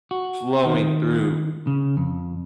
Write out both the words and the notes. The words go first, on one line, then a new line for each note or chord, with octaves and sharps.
flowing through
F#4
D#3
C#3
F2